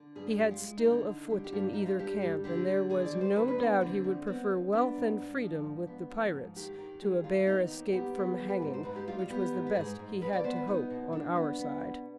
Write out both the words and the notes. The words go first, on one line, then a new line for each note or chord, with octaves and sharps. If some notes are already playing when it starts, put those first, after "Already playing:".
He had still a foot in either camp, and there was no doubt he would prefer wealth and freedom with the pirates to a bare escape from hanging, which was the best he had to hope on our side.
Already playing: D3
G2 G#4
G#4
G#3 G4
F4
G#3
D#4
D3
D#4
D3
G3
G4
G2 F4
G2 D#4
F4
G2 G4
G3
D3 G4
D3
D3 G#4
D5
G3
C5
D2 B4
B4
B3 D4
D4
D3 C4
D2
B3 C4
D2
B3 D4
G#2
G#2
F3
G#2
B3
F3 D#4
G#2
D#3 G4
D#3
G3 G#4
D#2 F4
B3 D#4
D#2
B3 G4
B3
G3 G#4
B4
G#2
C5
G#2 B4
G4
G3 F4
F4
B3 G4
G#2
B4
G#2 G#4
G#2
B2 B4
D5
B3 C5
B4
B3 D#4
B2
B2 D4
B3
B3
B2